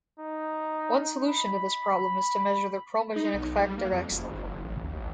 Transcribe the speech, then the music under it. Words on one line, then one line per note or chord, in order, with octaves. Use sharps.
One solution to this problem is to measure the chromogenic factor X level.
D#4
B5
D#4
B1
G3
A#3
F2
F#1
G#1
F#1
A1
D#2
A1